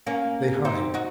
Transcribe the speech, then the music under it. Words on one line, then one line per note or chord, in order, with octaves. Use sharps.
They hide.
A#3 C#4
C4 D#4
D#4 F#4